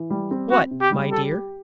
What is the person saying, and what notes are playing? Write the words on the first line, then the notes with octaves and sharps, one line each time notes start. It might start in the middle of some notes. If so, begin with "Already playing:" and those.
"What, my dear?"
Already playing: E3
G3
C4
C4 F#4
C3
G4
G3
G4 A4
G4